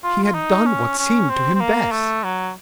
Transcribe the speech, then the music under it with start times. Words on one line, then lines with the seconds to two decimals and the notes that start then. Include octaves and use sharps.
He had done what seemed to him best.
0.03 F4
0.24 F4
0.34 D#4
0.66 C#4
0.98 C#4
1.30 C4
1.55 C4
1.60 A#3
1.92 A3
2.24 F#3